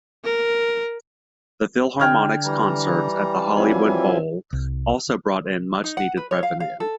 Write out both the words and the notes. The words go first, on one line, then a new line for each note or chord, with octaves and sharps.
The Philharmonic's concerts at the Hollywood Bowl also brought in much needed revenue.
A#4
D3 G5 F6 G#6
E3 G3 A#5
F3 F#3 C4 E4 F4 G#5
C2
D#4
F#5
B4
C#5
F5
F5
A4